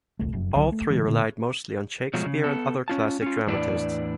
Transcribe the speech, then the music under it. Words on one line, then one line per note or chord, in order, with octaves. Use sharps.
All three relied mostly on Shakespeare and other classic dramatists.
E1 C2 A3
F1 F#2
C2 D3 F#3
A3
C#3 E3 G#3
A#2 D3 B3
B2 F3 F#3 G#3 A3
C#3
B3 A4
C#4 F4 A5
C#4 F4
E2 A2 D4 E4 B4 D5